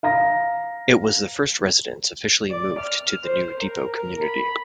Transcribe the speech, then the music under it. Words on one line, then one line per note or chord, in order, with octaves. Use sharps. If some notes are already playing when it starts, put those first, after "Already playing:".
It was the first residence officially moved to the new depot community.
F5 A#5 A#6
D5
F6
C5
A#4
A#4
B5